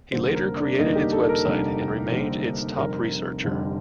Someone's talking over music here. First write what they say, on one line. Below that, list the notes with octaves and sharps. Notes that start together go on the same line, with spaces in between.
He later created its website and remained its top researcher.
F1 D#2 D3 G3 A#3 C5
A#4
D4
F1 D#2 D3 G3 A#3 D#4
G4
A4
A#4
F1 D#2 D3 G3 A#3
F1 D#2 D3 G3 A#3 C5
F1 F2 D3 G3 C4 A#4
F1 F2 D3 G3 C4